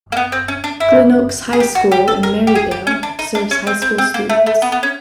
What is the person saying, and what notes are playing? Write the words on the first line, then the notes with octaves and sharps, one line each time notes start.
Glen Oaks High School in Merrydale serves high school students.
A#3
B3
C4
C#4
D4
E4
G#4
G4
F#4
G4
A4
A#4
G4
G#4
G4
C#4
D4
D#4
D4
C#4
C4
C4
C4
A#3
A3
A3
B3
B3
C#4